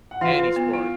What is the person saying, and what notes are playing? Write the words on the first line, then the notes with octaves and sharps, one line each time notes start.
Any sport.
F#5
E3 F4 F5
E3
B3
E4